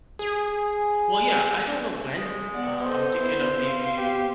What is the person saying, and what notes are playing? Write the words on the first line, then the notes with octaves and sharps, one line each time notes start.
Well, yeah, I don't know when. Uh, I'm thinking of maybe,
G#4
G#3
B3 D5 F#5
A4 C5 D#5
E4 C6
F5 C6
G4